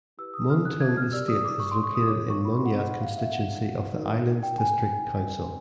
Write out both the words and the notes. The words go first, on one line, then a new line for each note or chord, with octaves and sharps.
Mun Tung Estate is located in Mun Yat constituency of the Islands District Council.
E4 G4 B4 E6
D#6
F6
F#6
G#6
F6
G4 A#4 D5 E6
D#6
D6
C#6
C6
C#6
D#6
E4 G#4 C#5 D6
C#6
B5
C6
F#5
F#5
F#5
G4 C5 F5
E5
F#5
D#4 F#4 A#4 D5
G5
G#5